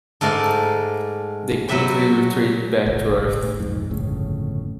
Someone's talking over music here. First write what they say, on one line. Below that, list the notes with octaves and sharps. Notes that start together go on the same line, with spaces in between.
They quickly retreat back to Earth.
G#2 A3 A#4 D5 C6
F#3 F#4 B4 E5 G5
D#1 G#1 C#2
A2
B1 F2 G#2
G1 F2 A2 C#3